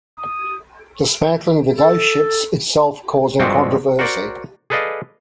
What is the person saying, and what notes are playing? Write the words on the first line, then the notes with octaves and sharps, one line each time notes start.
Dismantling the "ghost ships" itself causing controversy.
D#6
A4
G2 F3 G3 G#3 C4 F#4
F#4 A#4 C5 D5 F#5
G#4 A4 B4 D5 D#5 F5